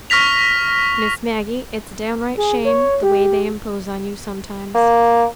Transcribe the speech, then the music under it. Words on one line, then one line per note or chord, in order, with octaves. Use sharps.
"Miss Maggie, it's a downright shame--the way they impose on you sometimes."
C#6 F6 A#6 B6 F7
G#4
C#5
G4
A#3